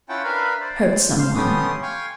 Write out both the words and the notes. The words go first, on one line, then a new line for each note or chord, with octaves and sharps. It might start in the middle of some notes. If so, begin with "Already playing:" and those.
Hurt someone.
C#4 E4 F4 F#5 G5 A5
D4 A#4 B4 E5 F5 B5
C5 D5
C5 F5 C6
A3 B3 C#4 G4 C6 D#6
F5 G5 G#5 C6 C#6